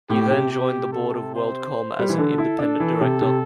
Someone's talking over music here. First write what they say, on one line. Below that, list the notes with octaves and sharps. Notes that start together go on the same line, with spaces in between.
He then joined the board of WorldCom as an independent director.
A2 G4
C3
G4
A4
C5
G3
E3
D3 A4
E4
D4
E3
C3
C3